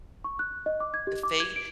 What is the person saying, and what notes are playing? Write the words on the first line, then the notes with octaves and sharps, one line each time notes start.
if they
C#6
F#6
D#5
D6
G#6
G4
D6
G#6
D7